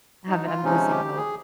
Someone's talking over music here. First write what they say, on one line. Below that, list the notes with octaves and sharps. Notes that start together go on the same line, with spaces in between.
have a I'm losing hope.
D#4
F4
C3 F3 G#3 C#4 D#4
G4
G#4